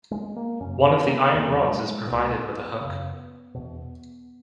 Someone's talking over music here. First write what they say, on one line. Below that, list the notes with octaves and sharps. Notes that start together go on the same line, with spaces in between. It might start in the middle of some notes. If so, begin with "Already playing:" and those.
One of the iron rods is provided with a hook.
G#3
A#3
F#2 C#3 C#4
B3
A#3
B3
E2 B2 A#3
E3
F#3
G#3
G#3
C#2 B2 B3
F#2 C#3
E2 B2